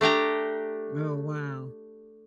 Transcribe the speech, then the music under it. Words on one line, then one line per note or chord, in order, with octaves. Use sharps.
Oh, wow.
A3 D4 G4 A#5